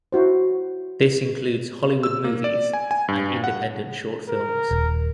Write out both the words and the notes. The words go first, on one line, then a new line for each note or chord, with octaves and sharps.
This includes Hollywood movies and independent short films.
E4 F#4 C5
E6
A#3
D5
G#5
G#5
G2
F#5
A#4
D#1